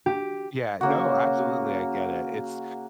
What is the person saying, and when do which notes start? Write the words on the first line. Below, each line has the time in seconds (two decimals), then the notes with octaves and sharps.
Yeah, no, absolutely. I get it, it's
0.06 G4
0.81 C#3 A#3 F#4